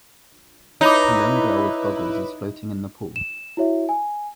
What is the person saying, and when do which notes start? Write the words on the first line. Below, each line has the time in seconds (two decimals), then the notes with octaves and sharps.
A young girl with goggles is floating in the pool.
0.81 D#4 E4 B4 C#5 B5 D6
3.16 E7
3.57 E4 F#4 C#5 E5
3.89 G#5